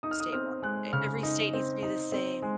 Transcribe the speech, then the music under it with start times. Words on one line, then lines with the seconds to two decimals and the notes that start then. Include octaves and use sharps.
Statewi eh every state needs to be the same.
0.03 D#4 D#6
0.11 F6
0.20 D#6
0.33 C4 F6
0.62 G#3 F#6
0.93 C#3 F6
1.23 D#4
1.54 C4
1.83 D#4
2.12 C4
2.42 G#3